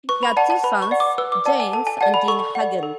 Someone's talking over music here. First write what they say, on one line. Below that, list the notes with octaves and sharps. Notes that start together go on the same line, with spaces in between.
They had two sons, James and Deane Hagen.
B4 C#6
B5
D5 F#5 A5
A5
B4 B5
C#6
D5 F#5
D6
B4 E6
D6
D5 F#5 A5
G#5
A4 A5
G#5
D5 F#5 A5
B5
A4 C#6
F#5
D5
A4